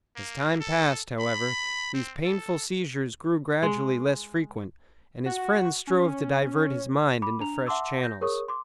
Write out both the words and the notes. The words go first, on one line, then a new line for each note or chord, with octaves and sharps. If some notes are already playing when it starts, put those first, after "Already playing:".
As time passed, however, these painful seizures grew gradually less frequent, and his friends strove to divert his mind into fresh channels.
A#3
A4
B5
C4
A4
G#3
F#4
C#4
B5 D6
D4 A#5 F7
E5 F#5 A5 C6 D6 E6
G6 A#6
G#4 A#4 C#5 C#6 D#6
C6 D6